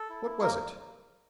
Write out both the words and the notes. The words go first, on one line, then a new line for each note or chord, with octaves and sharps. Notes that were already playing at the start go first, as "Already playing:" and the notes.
"What was it?"
Already playing: A4
E4
E4
A#3 A#4